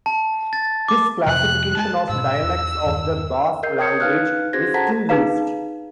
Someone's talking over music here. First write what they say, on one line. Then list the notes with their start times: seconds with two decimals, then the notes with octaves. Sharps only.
His classification of dialects of the Basque language is still used.
0.06 A5
0.53 A6
0.88 D6
1.26 F2 C3 F3 F#6
1.77 G#3 A5
2.09 G#2 B2 E6
2.44 E2
2.86 E2 G2 D#3
3.63 A#4 D#5 G6 C7
3.78 C#5 D#6 G#6 C#7
4.00 D#4 B4 F5 F6 F#6
4.53 C#4 F#4 G#4 C5 G#6 A#6
4.74 A4 C5 F#5 A5 A#5 B6
5.09 D#4 G#4 B4 F5 A#5